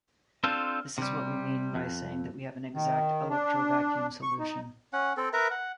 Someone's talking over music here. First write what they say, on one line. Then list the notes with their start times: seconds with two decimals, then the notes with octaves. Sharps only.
This is what we mean by saying that we have an exact electrovacuum solution.
0.44 C4 D4 F4 A4 C5
0.98 C3 G3
1.75 F2
2.75 D#3
3.30 D4
4.22 C#6
4.39 D#4
4.93 C#4 F#5
5.17 C4 A4
5.33 A#4 B4 E5 A#5
5.51 F#5